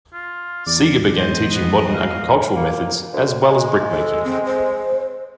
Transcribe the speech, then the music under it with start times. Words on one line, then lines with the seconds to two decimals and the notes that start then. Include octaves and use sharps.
Seger began teaching modern agricultural methods as well as brick-making.
0.13 F4
0.67 E2 D5
1.17 G#2 C5 D#5
1.54 B3
1.94 F5
2.56 A#3
3.13 D2
3.48 G#3
3.91 A4
4.24 C4
4.45 C5